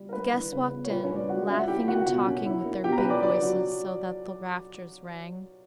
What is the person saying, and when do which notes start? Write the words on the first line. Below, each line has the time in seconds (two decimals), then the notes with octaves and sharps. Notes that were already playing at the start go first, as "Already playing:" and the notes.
The guests walked in laughing and talking with their big voices so that the rafters rang.
Already playing: G3
0.09 A#4
0.13 D4 B4
0.33 E3
0.52 C#3 B4
0.71 B3
0.85 C#5
0.90 A#2 B4
1.04 C#4 C#5
1.10 G3
1.16 D4 D5
1.29 A#2 F#4 F#5
1.49 C#4 E5
1.59 F#5
1.68 E4 G4 G5
1.88 A#3 F#4 F#5
2.06 B2 F#4 F#5
2.26 C#4
2.46 E4
2.65 A#3
2.84 B2 G4 G5
2.92 A#5
2.98 B4 B5
3.04 C#4
3.10 D5 D6
3.23 D4 D5 D6
3.42 F#3